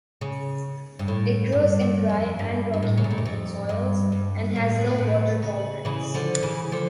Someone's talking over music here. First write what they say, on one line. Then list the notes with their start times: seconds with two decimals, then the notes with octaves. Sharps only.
It grows in dry and rocky mountain soils and has low water tolerance.
0.21 C#3
0.99 G2
1.08 A2
1.52 G2
1.81 G2
2.09 F2
2.39 G2
2.74 G2
2.83 A2
2.98 C#3
3.04 A#2
3.11 A2
3.18 G2
3.25 F2
3.69 G2
4.12 G2
4.56 A2
4.99 A2
5.42 C#3
5.85 C#3 E3
6.14 D3 F3
6.43 C#3 E3
6.72 D3 F3